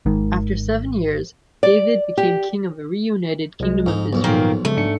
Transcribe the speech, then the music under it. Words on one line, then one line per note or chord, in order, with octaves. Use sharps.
After seven years, David became king of a reunited Kingdom of Israel.
G#1 G#2 D#3
D5
G4
C2 G#3
F2 G#2 D#4
B1 F2
A#2 D#3 A#3
C#3 G#3 A3
G#2 D4 C#7